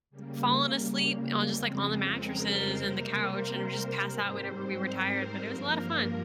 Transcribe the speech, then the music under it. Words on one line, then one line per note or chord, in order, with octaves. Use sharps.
falling asleep on just, like, on the mattresses and the couch, and we just passed out whenever we were tired, but it was a lot of fun.
C#3 G3 A#3
F2 C#3 G#3 C4
A#4
C5
C3 G3 A#3 A#4
C5
C5
G#2 G3 C4
A#4
G2 F3 A#3